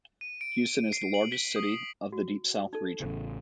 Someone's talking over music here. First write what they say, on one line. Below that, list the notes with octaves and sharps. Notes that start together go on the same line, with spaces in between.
Houston is the largest city of the Deep South region.
D#7
D7
C7
F#7
B6
D#6
F#4
D#4 A4
A1 C#3